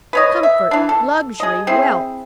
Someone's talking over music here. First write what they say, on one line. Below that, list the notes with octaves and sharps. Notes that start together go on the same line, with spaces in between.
Comfort, luxury, wealth!
B4 C#5 D#5
E5
E3 D4
A4
G#4 D#5
C4 E4 G#4